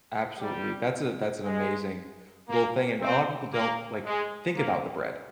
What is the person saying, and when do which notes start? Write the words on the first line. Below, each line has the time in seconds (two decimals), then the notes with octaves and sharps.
Absolutely, that's a that's an amazing little thing, and a lotta people don't, like, think about the bread,
0.39 G3
1.44 G#3
2.48 A#3
3.01 C4
3.53 A#3
4.05 G#3
4.57 A#3